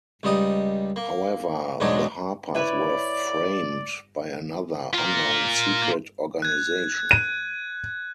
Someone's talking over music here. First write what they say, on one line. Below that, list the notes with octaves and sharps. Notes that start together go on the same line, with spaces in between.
However, the Harpers were framed by another, unknown, secret organization.
C#2 G3 D#4 D#6
A#3
B1 E2 G#2 F#3 D4 D#5
E4 B4 C#5 D5
F4 A#4
F#6 G#6
D#7